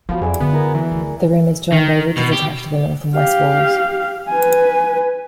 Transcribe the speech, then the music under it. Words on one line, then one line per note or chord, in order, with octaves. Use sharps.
The rim is joined by ridges attached to the north and west walls.
F3 F#3 B3 E4 F5
F2 G#4 D5 E5
D3 B3
E4 A#4
E3
D2
D#3
B2
G4
G4 F5
B4 G#5